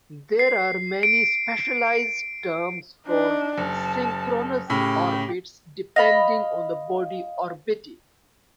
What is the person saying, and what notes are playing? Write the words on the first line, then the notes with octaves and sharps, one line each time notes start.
There are many specialized terms for synchronous orbits depending on the body orbited.
C7
D7
D4 D#4
F#1 A5
A2 C#3 G4
D#5 F5 B5